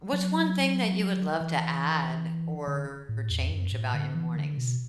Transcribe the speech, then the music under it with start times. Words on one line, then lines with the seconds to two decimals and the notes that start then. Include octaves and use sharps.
What's one thing that you would love to add or change about your mornings?
0.13 F#3
1.40 E3
2.67 D3
3.09 A2
3.30 E2
3.51 F#2
3.72 A2
3.94 D3
4.15 E3
4.37 D3
4.57 B2